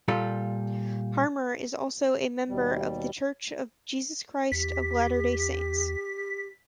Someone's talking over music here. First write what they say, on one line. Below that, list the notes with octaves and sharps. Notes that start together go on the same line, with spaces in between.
Harmer is also a member of The Church of Jesus Christ of Latter-day Saints.
A#2 G3 F4 A4
D#2 B2 G3
E2 G4 B6